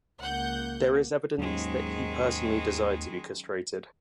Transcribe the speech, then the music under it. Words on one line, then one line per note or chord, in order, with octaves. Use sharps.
There is evidence that he personally desired to be castrated.
C#2 A#3 F#5 F#6 G6
D#2 G#2 D#3 F#3 G#3 C#4